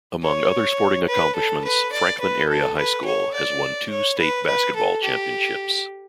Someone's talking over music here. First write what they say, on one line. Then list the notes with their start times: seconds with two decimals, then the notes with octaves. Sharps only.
Among other sporting accomplishments, Franklin Area High School has won two state basketball championships.
0.23 C#5
1.08 B4
1.36 A4
1.65 B4
1.92 D5
2.21 B4
2.49 A4
2.78 B4
3.05 C#5
3.34 D5
3.90 C#5
4.18 B4
4.47 B4
4.76 A4
5.03 G4